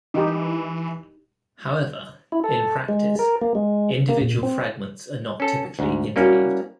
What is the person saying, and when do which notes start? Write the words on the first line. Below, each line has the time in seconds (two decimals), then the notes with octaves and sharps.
However, in practice, individual fragments are not typically interleaved.
0.14 E3 D#4 G4
2.32 E4
2.44 A4
2.88 G#3
3.19 A#4
3.41 A#3
3.55 G#3
4.09 A#3
4.21 A#2
4.43 C4
5.40 C#4 A4
5.79 D2 G#2
6.16 G3 A#3 C#4 E4 F#4